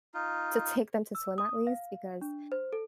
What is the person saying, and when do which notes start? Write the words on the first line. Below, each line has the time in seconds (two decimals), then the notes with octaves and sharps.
to take them to swim at least because
0.14 D#4 F4
1.15 E6
1.38 D#6
1.67 F5
2.21 D4
2.52 C5
2.73 A4